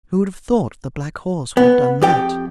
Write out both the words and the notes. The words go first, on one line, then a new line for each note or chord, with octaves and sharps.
Who would have thought the black horse would have done that?
B3
F2 G4 G5